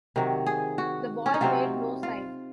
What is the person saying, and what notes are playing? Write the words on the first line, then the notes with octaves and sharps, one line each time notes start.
The boy made no sign.
C3 D#3 F#3
G#4
F#4
C#4
D#4
C3 F#3 C4 F4
F4